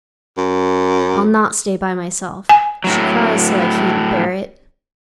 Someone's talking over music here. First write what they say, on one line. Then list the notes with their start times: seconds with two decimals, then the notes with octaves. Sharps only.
'I'll not stay by myself. She cries so I can't bear it.
0.38 F#2
2.49 G#5
2.84 A2 F#3